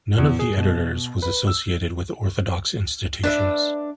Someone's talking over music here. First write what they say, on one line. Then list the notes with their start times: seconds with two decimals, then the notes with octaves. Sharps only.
None of the editors was associated with Orthodox institutions.
0.18 E2
0.39 G#4
0.57 B2
1.22 B4
1.47 E6
3.23 D4 B4 E5